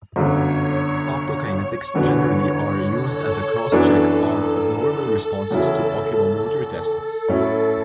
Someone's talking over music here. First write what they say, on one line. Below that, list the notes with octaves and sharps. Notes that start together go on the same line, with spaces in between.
Optokinetics generally are used as a cross-check on abnormal responses to oculomotor tests.
G1 F#2 D3 F#3 C#5
F#1 E2 D3 F#3 B3
A4
F#2 E3 B3 D4
E2 C#3 F#3 C#4 E4
A4
A2 F#3 C#4 E4